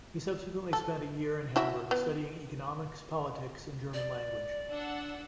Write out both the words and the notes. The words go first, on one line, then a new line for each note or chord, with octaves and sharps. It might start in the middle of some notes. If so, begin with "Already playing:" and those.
He subsequently spent a year in Hamburg studying economics, politics, and German language.
A4
E4 F#4 E5
B3
D5
D4 F#5 E6